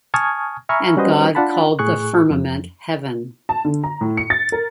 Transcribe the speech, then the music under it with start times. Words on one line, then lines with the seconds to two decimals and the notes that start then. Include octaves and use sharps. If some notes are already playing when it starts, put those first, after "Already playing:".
And God called the firmament Heaven.
0.14 G#5 A5 C#6 D#6 F6 G#6
0.69 E5 G#5 A#5 B5 C#6 F6
0.97 G3 C#4 F#4 B4 C5 D#5
1.35 D4 F4 F#5 A5 B5
1.79 A2 G#4 C#6 F#6
2.30 F2
3.49 A5
3.65 D3
3.84 A#5
4.01 A2
4.17 C#7
4.30 A6
4.52 A#4